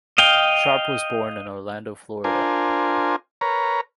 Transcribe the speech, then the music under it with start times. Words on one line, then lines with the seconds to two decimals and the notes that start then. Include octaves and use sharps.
Sharp was born in Orlando, Florida.
0.18 D#5 F5 G5
2.24 D4 F4 A#4 C5 G#5
3.41 A#4 B4 C#5 A#5